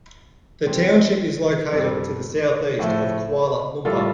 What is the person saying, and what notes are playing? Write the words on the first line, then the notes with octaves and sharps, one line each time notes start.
The township is located to the south-east of Kuala Lumpur.
G3 C4 G4 C5
G2 G3 C4 A4
A2 F3 A3
A2 G3 F4 A4